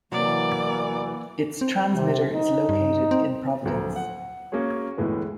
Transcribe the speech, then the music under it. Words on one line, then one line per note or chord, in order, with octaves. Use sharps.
Its transmitter is located in Providence.
E2 C3 E3 F#3 A#3 D5
C4
C3
D#4
G2
C4
D1 D2 F3 A#5
F#5
A#3 C#4 F#4 G#4 C#5
D2 A2 E3 G#3 B3